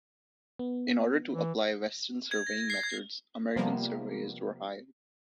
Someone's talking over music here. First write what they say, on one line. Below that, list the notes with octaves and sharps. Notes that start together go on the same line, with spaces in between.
In order to apply Western surveying methods, American surveyors were hired.
B3
E3
G#6
A#6
C7
G#6
C3 F3 G3 A#3 B3